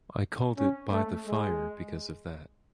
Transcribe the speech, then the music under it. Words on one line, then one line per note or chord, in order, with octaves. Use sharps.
I called it "By the Fire" because of that.
C#4
A3
G#3